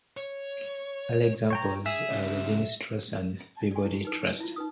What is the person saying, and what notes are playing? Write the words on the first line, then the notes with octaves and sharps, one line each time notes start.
Early examples are the Guinness Trust and Peabody Trust.
C#5
C#5 G5 A#5
G#4 E5
C#3 G3
D5 G#5
E4
D#4 B4
C#6
E4 F4
D#4 B4 D#6